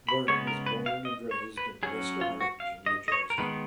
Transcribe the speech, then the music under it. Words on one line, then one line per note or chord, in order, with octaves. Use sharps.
Byrne was born and raised in West Orange, New Jersey.
B5
C#3 G#3 B3 C#5
A#4
B4
F5
D#5
C#5
B4
F#3 C#4 G#4
F4
F#4
F5
D#5
D#5
C#5
A#4
D#3 G#3 B3 B4